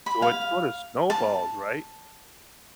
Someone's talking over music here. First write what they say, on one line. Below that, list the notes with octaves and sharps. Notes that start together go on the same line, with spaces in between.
so it's sorta snowballs, right?
B5
F5
A5